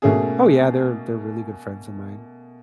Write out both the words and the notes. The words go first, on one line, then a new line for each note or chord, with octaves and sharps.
Oh, yeah, they're they're really good friends of mine.
B2 A3 A#3 C#4 G#4